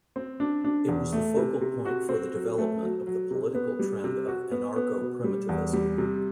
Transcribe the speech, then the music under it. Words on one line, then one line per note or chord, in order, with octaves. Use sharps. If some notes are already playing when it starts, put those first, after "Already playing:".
It was the focal point for the development of the political trend of anarcho-primitivism.
C4
D4
D4
E2
A3
C3
C3
F#4
C4
F#3
A3
F#3
F#3
C3
B3
G3
C3
F#4
B3
B3
B2
G3
E2
G3
C3